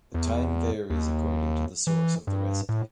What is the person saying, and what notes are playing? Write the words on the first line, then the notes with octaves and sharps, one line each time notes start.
The time varies according to the source of the recipe.
E2
D#2
E3
G2
A2